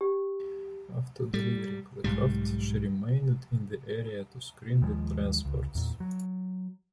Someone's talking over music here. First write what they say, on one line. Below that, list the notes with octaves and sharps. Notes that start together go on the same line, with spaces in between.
After delivering the craft, she remained in the area to screen the transports.
G4
G3
B1 G#2 G3
D#2 D#3 F3 G#3
C#2
E2 A#2
F#3